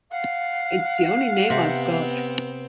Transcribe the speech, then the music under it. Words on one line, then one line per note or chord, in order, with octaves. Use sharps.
It's the only name I've got.
F5 F#5
C3 B3 C4